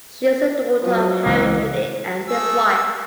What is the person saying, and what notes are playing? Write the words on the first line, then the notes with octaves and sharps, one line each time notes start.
She was the daughter of Harry Henig and his wife.
F3 F#3 D#5
C#2 E3 C4
A3 G#4 E6